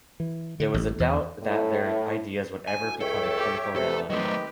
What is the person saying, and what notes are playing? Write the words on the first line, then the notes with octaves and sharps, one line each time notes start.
There was doubt that their ideas would ever become a clinical reality.
E3
D3
A1
E2
A2
D2 G#5
C#2 A4 C#5 E5 G5
G4
C3 A3 A4 B4
D#3 F#3 G#3 A3 C4 G4 B4 D#5